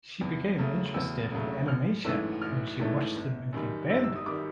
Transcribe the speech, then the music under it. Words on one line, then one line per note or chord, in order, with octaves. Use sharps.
She became interested in animation when she watched the movie "Bambi".
E2
C#3 F#3 A3
E2 E6
C#3 F#3 A3
A1 F6
G#2 E3 A3 C#4 E6
A1 F6
G#2 E3 A3 C#4
G1
F#2 D#3 G3
G1 E6
E6
D#6
D#3 G3 D6